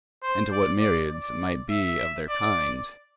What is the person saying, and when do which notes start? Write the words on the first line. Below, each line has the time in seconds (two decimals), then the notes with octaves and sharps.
And to what myriads, it might be, of their kind?
0.23 C5
0.52 D5
0.81 D5
1.11 D5
1.71 E5
2.30 D5